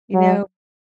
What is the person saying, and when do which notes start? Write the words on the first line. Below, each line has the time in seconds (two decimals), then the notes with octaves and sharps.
You know
0.14 F#3